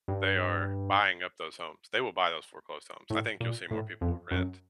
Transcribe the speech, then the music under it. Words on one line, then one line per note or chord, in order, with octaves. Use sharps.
they are buying up those homes, they will buy those foreclosed homes, I think you'll see more people rent,
G2
A2
A#2
A2
F2
F#2